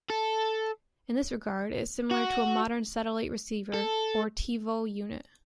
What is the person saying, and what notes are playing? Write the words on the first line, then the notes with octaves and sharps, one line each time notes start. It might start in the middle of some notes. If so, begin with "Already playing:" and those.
In this regard it is similar to a modern satellite receiver or TiVo unit.
A4
F#4
A4